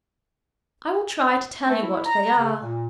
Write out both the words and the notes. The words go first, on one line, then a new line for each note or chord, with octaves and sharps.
I will try to tell you what they are.
A3
E4
A#5
C#3
A#2